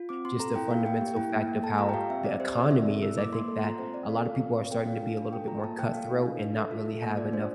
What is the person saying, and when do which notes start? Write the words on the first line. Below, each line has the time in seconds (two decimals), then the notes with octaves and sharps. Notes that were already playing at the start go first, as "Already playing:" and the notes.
just the fundamental fact of how the economy is, I think that a lot of people are starting to be a little bit more cutthroat and not really have enough
Already playing: F4
0.09 C4 D6
0.25 C4 C6
0.40 A4 A#5
0.55 E4 G5
0.71 A#3 F5
0.86 A#3 G5
1.01 G4
1.17 E4 G5
1.32 A#3
1.48 A#3
1.63 A4 A5
1.78 F4 A#5
1.89 G5
1.94 G4 F5
2.10 C4 E5
2.25 C4 D5
2.40 G4 C5
2.55 C4 D5
2.71 C4 E5
2.86 A4
3.02 E4 E6
3.18 A#3 D6
3.33 A#3 C6
3.48 A4
3.59 C6
3.63 F4 A#5
3.79 C4 C5
3.94 C4 D5
4.09 A4 F5
4.25 F4 F5
4.41 C4
4.56 C4
4.71 A4 G5
4.87 F4 F5
5.02 D4
5.18 D4
5.33 A4 G5
5.48 F4 A#5
5.64 A#3 A5
5.79 A#3 G5
5.94 A4 F5
6.10 E4
6.26 D4
6.40 D4
6.56 A4 E5
6.71 F4
6.86 A4
7.02 A#3
7.17 F4 D5
7.33 D4 C5